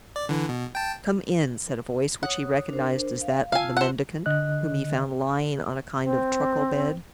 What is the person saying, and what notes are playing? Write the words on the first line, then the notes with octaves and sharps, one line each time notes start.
"Come in," said a voice which he recognized as that of the mendicant, whom he found lying on a kind of truckle bed.
D5
D3 E3
B2
G5 A5
C#5 F#5 D#6
D4 A#4 C5
F5
F4 F5 G#5 A5 E6
C5 F#5
D3 D#5 F#6
C4